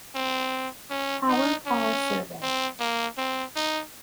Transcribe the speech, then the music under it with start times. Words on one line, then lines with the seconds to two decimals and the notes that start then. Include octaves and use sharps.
Power Car Survey.
0.15 C4
0.90 C#4
1.28 D#4
1.66 C#4
2.42 C4
2.80 A#3
3.18 C4
3.56 D#4